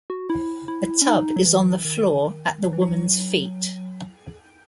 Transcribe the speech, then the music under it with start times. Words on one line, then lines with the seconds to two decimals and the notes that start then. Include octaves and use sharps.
A tub is on the floor at the woman's feet.
0.10 F#4
0.30 E4
0.68 E4
1.02 C#4
1.07 D#4
1.36 F#3
1.46 E3
1.85 D#3
2.24 D#3
2.64 F#3
2.73 E3
2.82 F#3